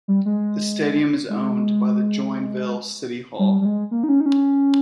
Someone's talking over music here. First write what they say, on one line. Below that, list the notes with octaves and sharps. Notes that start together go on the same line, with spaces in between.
The stadium is owned by the Joinville City Hall.
G3
G#3
G#3
G3
G3
G#3
A#3
D#4
C#4
D#4
C#4